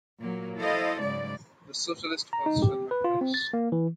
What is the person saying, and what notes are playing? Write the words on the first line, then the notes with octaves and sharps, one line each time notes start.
The socialist cause shall not perish.
A#2 F#3 A#3
E4 A4 C5 D#5 F5
G#2 C#3 F#3 G#3 D5
A#5
D#4
G4
B4
F4
C4
A6
A#3
E3